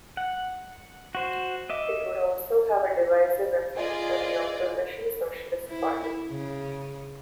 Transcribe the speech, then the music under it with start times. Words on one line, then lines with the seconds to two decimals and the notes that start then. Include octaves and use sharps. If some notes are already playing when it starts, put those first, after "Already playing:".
It would also have a divisive effect on the opposition Socialist Party.
0.17 F#5
1.15 F#4 C5
1.70 D#5 E5 D6
3.74 F4 G#4 D5 D#5
5.68 E4
6.29 C#3